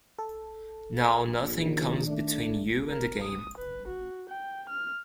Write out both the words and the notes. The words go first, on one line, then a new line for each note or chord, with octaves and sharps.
Now nothing comes between you and the game.
A4
A#1
D#3
A3 D4
A#4
D#6
B4
F#4
G5
F6